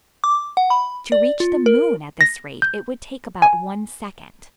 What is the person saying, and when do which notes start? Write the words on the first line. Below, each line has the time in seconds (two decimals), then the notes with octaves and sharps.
To reach the moon at this rate it would take about one second.
0.24 D6
0.57 F#5
0.70 B5
1.12 D5
1.40 F4
1.66 A#4
2.21 A#6
2.62 G6
3.42 G#5